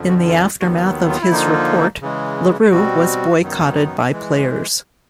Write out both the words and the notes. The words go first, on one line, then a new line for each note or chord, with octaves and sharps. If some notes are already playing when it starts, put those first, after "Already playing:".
In the aftermath of his report, Larue was boycotted by players.
Already playing: F2 D3 F3
F#4
F4
F4
D#2 D#3 F#3 B3 F#4
F4
E4
D3 F3 A#3 D#4 F4
C#3 E3 G#3
B2 G3 C4 F#4
F#2 D#3 F#3 B3 D#4
E3 G#3